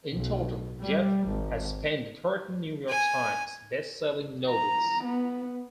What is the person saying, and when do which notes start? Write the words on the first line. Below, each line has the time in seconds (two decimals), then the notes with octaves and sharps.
In total, Jeff has penned thirteen "New York Times" bestselling novels.
0.12 B1
0.81 G3
1.27 G#1
2.89 G#5
4.49 A#5
5.05 B3